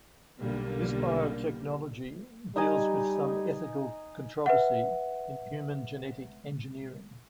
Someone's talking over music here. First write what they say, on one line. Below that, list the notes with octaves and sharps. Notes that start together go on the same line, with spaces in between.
This biotechnology deals with some ethical controversy in human genetic engineering.
B1 D3 G3 A#3
G3 D#4 D#5 G#5
B4 E5 F#5